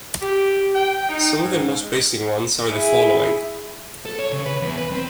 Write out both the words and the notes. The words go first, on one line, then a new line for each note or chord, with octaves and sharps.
Some of the most basic ones are the following.
G4
G5
D#4
G#2
E4 G#4
A4
C#5
C#3
B4
E2
B4
C4